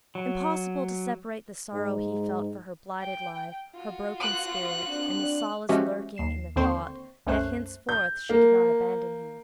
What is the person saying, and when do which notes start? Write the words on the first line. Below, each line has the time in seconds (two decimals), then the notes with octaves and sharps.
Impossible to separate the sorrow he felt for her blighted life, her broken spirit, and the solace lurking in the thought that henceforth she could not abandon him.
0.15 F#3
1.74 G#2
3.00 G5
3.75 F4 F#4
4.20 F#6
4.88 C4 D4
5.69 F3 G#3 C#4 F#4 G4 E5
6.17 D#2 C7 E7
6.56 D#2 D3 C4 C5 C6 C#6
7.27 C2 F#2 A3 C#4 C5 F#6
7.89 G6
8.29 A#3